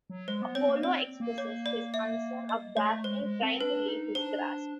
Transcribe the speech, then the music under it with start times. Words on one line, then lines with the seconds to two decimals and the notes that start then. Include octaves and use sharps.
Apollo expresses his concern of Daphne trying to leave his grasp.
0.10 F#3
0.28 G#3 C5
0.42 B3
0.55 C4 C#5
0.69 A#3
0.83 C4 D5
1.20 A#3
1.38 C#5
1.66 D5
1.94 E5
2.49 D#5
2.77 A3 C#5
3.04 G#3 C5
3.23 G#3
3.42 C4
3.60 D4 B4
3.88 D#4
4.15 D4 C5